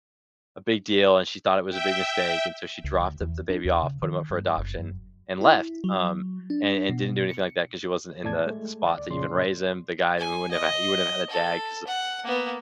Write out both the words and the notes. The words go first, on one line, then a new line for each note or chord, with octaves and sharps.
a big deal, and she thought it was a big mistake, and so she dropped the the baby off, put him up for adoption, and left, um, and and didn't do anything like that 'cause she wasn't in the the spot to even raise him. The guy who wouldn't have he wouldn't have had a dad 'cause
E5 G5
C#2
D2
E2
D4
D#2
C#3
D#3
G2
F#1
F#2
E4
F#3
D4
B2
C#7
F2 A2 D5 A5 G#6
G#3 A3
D2 D5
F2 A#2 C#3 C#4 D5 C6
G#5
D#5
A4
F#5
A#3 B3